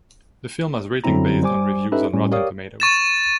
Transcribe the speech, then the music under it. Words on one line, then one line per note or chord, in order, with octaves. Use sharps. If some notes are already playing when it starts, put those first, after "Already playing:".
The film has rating based on reviews on Rotten Tomatoes.
F#2 D3 F#3 C4 E4 A#5
G3 C5 G#5 D6
C#4 D#4 G4 A4 B4 E5
A2 G3 C#4
G4 A#4 C#5 D5 F5 D#6
C#6 A6 E7